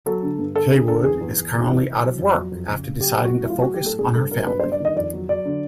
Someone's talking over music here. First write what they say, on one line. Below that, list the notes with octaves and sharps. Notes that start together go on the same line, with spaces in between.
Cawood is currently out of work after deciding to focus on her family.
F#3 A4
D3
G2
D3 A4
D3 G#4
D3 A4
E2 G#4
E2
E2
C3
E3
E3
F#3
F2
F#3
F2
C#3
C#3
F#3 G4
F#3
F#4
A2
E4
F#3 F4
F#4
F#3
G4
A2 A4
G2 G#4
G2 A4
F#3 A#4
G2 B4
C5
G2
D5
D#3 D#5
F2 D5
F#3
F#3 D5
D3